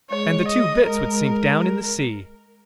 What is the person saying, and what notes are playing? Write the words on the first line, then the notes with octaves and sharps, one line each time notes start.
"And the two bits would sink down in the sea!"
G#3 C#5
D#5
G#3 A#4
G#3